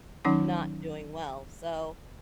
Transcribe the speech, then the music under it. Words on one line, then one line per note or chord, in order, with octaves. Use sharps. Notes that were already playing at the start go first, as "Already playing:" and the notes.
not doing well, so
D#3 F#3 C#4 D#4 F#5 D6